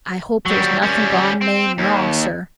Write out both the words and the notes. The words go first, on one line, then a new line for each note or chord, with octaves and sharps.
I hope there's nothing gone main wrong, sir.
F#3 G3
G3 C#4
C4
D#2